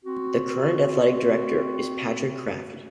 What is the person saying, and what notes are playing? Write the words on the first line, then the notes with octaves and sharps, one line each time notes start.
The current athletic director is Patrick Kraft.
C4 F#4